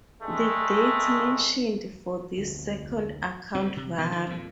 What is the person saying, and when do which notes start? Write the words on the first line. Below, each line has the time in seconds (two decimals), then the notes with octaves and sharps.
The dates mentioned for this second account vary.
0.22 G2 G#3 A3
2.37 F1 D2
3.55 F#1 F2 A2 C4
3.77 C3
3.98 B2 D3 D#3
4.12 D3 D#3 F3
4.27 F2 A#2